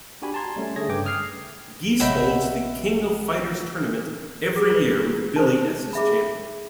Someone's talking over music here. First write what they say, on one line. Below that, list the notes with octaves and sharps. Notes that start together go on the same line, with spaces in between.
Geese holds "The King of Fighters" tournament every year with Billy as his champion.
D4 F#4 G4 G#5 B5
A5 A#5 C6 G#6
G3 A3 C#4
D3 A3 G#4 C#5 G#6 A#6
G2 C#3 B4 G5 D6
D#6 F6 G#6 C7
A#1 C#3 F#4 C#5 D#5 E5 B5 G6
G#4
F4 B4
C5 A5
G#4 E5 B5